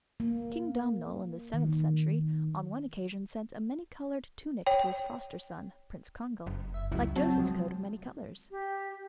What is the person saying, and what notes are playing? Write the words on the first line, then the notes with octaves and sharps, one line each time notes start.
King Domnall, in the seventh century, on one occasion sent a many-coloured tunic to his foster-son Prince Congal: like Joseph's coat of many colours.
A#3
D#3
C#5 G5
F#1
E5
C#2 F#3 E4
F#3 C4 A5
C3 F3 G#3
G4